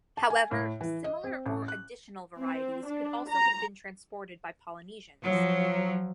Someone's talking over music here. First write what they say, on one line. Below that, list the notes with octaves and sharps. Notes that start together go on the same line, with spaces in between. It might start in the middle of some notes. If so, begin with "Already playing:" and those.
However, similar or additional varieties could also have been transported by Polynesians.
A5
G#5
A2
E3
D#5
C4
A1
F#6
C4
D4
A#5
F3 F#3